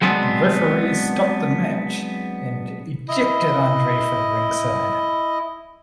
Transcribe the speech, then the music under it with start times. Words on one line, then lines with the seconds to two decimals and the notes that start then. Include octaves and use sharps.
The referee stopped the match and ejected Andre from ringside.
0.02 F#3 G#3 B3 C4 D4
3.08 E4 D#5